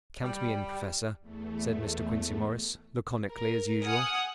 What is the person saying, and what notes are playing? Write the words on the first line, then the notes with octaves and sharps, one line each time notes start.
"Count me in, Professor," said Mr. Quincey Morris, laconically as usual.
G3
E2 A3
A#4
F#5 G#5 D#6 F6